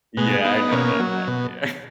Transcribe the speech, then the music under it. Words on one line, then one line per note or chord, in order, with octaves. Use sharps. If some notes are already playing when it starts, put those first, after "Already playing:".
Yeah, I know, not that, yeah.
B2 G#3
B3 D#4
B2 A#3 C#4
F#3
B2